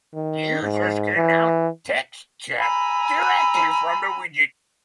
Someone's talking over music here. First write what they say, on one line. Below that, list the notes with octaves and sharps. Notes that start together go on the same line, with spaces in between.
Users can now text-chat directly from the widget.
D#3
G#2
E3
G#5 A#5 B5 E6